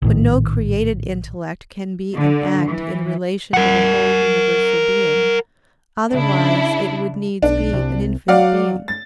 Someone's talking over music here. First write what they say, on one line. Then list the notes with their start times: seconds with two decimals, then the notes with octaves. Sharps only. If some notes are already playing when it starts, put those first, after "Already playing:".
But no created intellect can be an act in relation to the whole universal being; otherwise it would needs be an infinite being.
0.02 A#1 A2 D#3
2.16 D3
2.70 E3
3.54 A#4 F#5
6.12 C#3 D4 E4
7.42 B1 D4
7.73 C2
8.28 F#3 D5 F5 F#5
8.88 A6